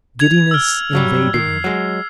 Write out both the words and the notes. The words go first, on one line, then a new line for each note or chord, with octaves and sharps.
Giddiness invaded him.
G#6 F7
E6 F6
G2 F#3 G3
D#3 C7
F#3 G#3